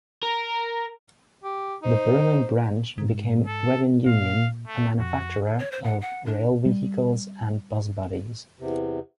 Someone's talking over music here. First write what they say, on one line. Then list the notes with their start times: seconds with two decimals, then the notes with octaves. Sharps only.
The Berlin branch became Waggon Union, a manufacturer of rail vehicles and bus bodies.
0.23 A#4
1.44 G4
1.83 D#4 C5
2.98 G#2
3.47 A4
4.06 A#2 F5
4.67 A3
4.99 F2 F#4
5.59 C#5
5.72 C5
5.84 F#5
6.01 F#5
6.26 D4
6.66 G3
8.59 E2 C3